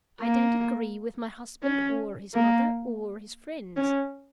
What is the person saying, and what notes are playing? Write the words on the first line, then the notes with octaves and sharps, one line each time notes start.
I don't agree with my husband, or his mother, or his friends.
A#3
C#4
A#3
C#4